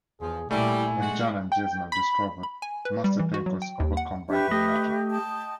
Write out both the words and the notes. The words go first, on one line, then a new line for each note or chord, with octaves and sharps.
When Jana and Jason are discovered, Master Tenko is overcome by their magic.
E2 F3 G#4
A#2 G3 A3 E4 G#5
G#3 F#4
G5
B5
B5
G#5
B4
G3
E3
F#4
F#3
G5
D#2
F#5
D4 G4 B4 E5 C#6
A3 G4 D#5
G5 A5